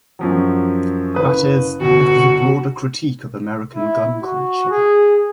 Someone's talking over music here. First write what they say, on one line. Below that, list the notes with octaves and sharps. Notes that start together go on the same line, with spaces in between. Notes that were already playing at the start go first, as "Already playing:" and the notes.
That is, it was a broader critique of American gun culture.
F#2 F3 F#3
F#1 B4 D#6
G1 B2 F#4
E4
F#4
G#4